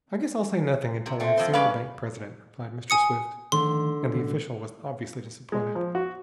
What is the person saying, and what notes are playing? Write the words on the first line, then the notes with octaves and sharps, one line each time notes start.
"I guess I'll say nothing until I have seen the bank president," replied Mr. Swift, and the official was obviously disappointed.
C3
A3 C4
F2 C5
G2 G#3 C#4 B4 D5 F5
G#5 D#6 C#7
D3 D#3 F3 A3 C6
A2 C#3
G#3
F3
F#4